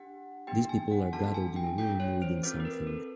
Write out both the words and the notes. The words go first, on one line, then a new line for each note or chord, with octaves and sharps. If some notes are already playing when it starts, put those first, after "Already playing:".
These people are gathered in a room reading something.
Already playing: D4 G4 F#5
B3 D4 G4 G5
G#5
F#5
B3 D4 F#4 A4 A5
A5
G#5
G5
C#4 F4 A4 G5
C#5
C5
C4 F4 A4 B4
B4
A#4
A4